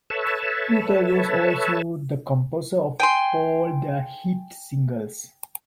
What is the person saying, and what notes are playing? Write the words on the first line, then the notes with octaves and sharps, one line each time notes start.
Luther was also the composer of all their hit singles.
A4 B4 C#5 E5 A5
G5 G#5 C6